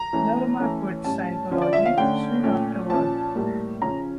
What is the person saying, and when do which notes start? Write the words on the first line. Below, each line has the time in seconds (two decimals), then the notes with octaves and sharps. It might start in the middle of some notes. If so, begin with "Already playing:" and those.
Lerma quit Scientology soon afterward.
Already playing: A#5
0.13 E3 A3 C#4
0.59 E3 A3 C#4
1.04 A2 G3 C#4 A5
1.51 D3 F3 C#4
1.62 D5
1.73 E5
1.85 F5
1.97 D3 A3 C#4 G5
2.43 A#2 A3 C#4
2.89 A#2 F3 C#4 A5
3.35 A2 G3 A#3
3.81 C#3 F3 C#4 A#5